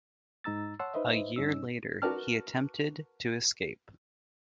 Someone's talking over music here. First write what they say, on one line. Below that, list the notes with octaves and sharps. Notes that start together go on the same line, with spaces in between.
A year later he attempted to escape.
G#2 D#4 A#5 E6 A6
C#5 F#5 A5 C6 E6
D#4 B4 C5 D#5 E5
G2 C#4 D#4 E6
F#4 A#4 B4 A5 D6 F6